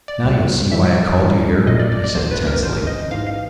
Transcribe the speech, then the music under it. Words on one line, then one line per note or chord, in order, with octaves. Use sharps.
"Now you'll see why I called you here," he said tensely.
D5
C#2 B2 G3 C4
A2 E3 G3 E5
A2 E3 G3
A#1 A#2 F#3 A3 D#5
D5
D5
D5
A#1 A#2 F#3 A3 C5
B4
A#4
A1 G#2 E3 C5
D#5
A1 G#2 E3 F5
F5